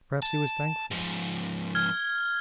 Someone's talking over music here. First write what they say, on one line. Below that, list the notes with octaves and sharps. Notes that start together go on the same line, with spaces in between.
Perhaps he was thankful.
A5
G#2 F3
F6 G#6 G7